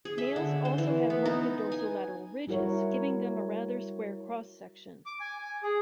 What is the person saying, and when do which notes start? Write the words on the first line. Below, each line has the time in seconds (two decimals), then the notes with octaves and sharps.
Males also have marked dorsolateral ridges, giving them a rather square cross-section.
0.05 G#4
0.18 E5
0.36 D3
0.65 C5
0.78 E3
1.10 B3
1.26 D#4
1.72 G#5
2.47 G3 E4 F#4 A#4 C#5
5.06 D6
5.20 G#5
5.38 G#5
5.63 G#4